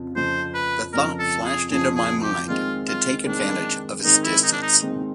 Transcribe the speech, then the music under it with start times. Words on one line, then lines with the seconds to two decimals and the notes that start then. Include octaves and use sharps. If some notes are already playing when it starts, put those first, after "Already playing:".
The thought flashed into my mind to take advantage of his distance.
Already playing: F2 C#3 F3
0.16 F2 C#3 F3 C5
0.54 B4
0.93 F2 C#3 F3 A#4
1.19 A4
1.45 G#4
1.71 F2 C#3 F3 G#4
1.96 G#4
2.23 G4
2.48 D#3 G#3 C4 F4
2.88 F4
3.26 D#3 G#3 C4 D4
4.04 D#3 G#3 C4 D#4
4.24 E4
4.43 D#4
4.52 D4
4.62 D#4
4.81 D#3 G#3 C4